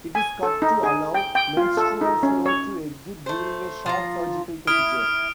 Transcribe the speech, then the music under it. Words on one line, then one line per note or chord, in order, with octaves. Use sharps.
It is cut to allow menstrual flow to exit during a short surgical procedure.
G#5
A4
D#4
G#4
G5
G5
F4
A4
D#4
C#4
C#5
A3 C5
F3 F4 A#5
E4 D#6 F6 D7